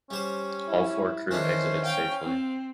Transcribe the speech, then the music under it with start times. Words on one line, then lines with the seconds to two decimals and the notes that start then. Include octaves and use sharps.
All four crew exited safely.
0.11 G3 C#4 C5
0.65 E4
1.31 D#3 E3 C#4 D4 C5
1.86 F5 G5
2.24 C4